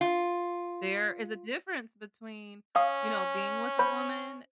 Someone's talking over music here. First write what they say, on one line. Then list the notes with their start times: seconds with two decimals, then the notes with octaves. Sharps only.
There is a difference between, you know, being with a woman
0.01 F4
2.76 C#4 F5 D#6
3.79 C5 B5